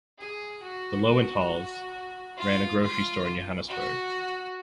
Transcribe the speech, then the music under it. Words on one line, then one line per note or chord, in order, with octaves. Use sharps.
The Loewenthals ran a grocery store in Johannesburg.
G#4
F#4
F#4
F4
F4
F#4